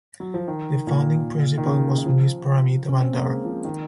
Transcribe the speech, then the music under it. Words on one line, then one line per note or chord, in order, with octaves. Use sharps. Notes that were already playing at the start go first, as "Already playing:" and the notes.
The founding principal was Miss Paramita Bandara.
F#3
F3
D#3
A#2
D#3
C#3
D#3
F3
C#4
C4
A#3
G#3
F3
D#3